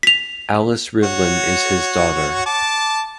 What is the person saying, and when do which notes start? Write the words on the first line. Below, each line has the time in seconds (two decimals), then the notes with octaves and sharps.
Alice Rivlin is his daughter.
0.03 B6 F7
1.03 F#4 C#5
2.46 A5 D6